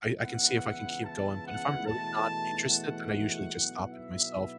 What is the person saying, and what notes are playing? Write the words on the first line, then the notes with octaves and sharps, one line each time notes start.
I I can see if I can keep going, but if I'm really not interested, then I usually just stop it myself,
C#2 C#3 E3 B3 E4 F#5
A5
F#5
E2 B2 A3 E4 A5
F#5
B1 B2 B3 E4
E5